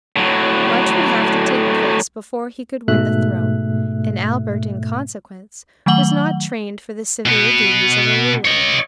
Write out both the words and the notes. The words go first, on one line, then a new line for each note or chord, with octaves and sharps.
Much would have to take place before he could win the throne, and Albert, in consequence, was not trained for the severe duties of a ruler.
A2 F#3
G#2 B2 A3 E5 F#6
D#3 F#3 A3 F#5 F#7 G7
B2 B3
C#5 D#5